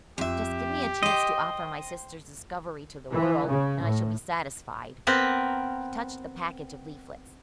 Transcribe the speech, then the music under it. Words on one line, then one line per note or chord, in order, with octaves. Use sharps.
"Just give me a chance to offer my sister's discovery to the world, and I shall be satisfied!" He touched the package of leaflets.
F2 G4 E5
C5 D#5 G5
E3
C#3
A2
B3 C4 A#4 B4